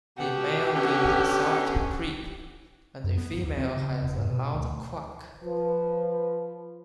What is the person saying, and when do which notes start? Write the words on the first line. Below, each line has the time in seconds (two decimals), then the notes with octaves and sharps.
The male gives a soft "preep", and the female has a loud quack.
0.18 B2 G4 F#5
0.76 D3 B3 C#4
3.04 F#2
3.17 B3
3.32 G1
3.44 D#2
3.57 C4
3.77 C#3
4.02 E1
4.18 G#2
4.31 B2
4.54 D2
5.44 F3 B4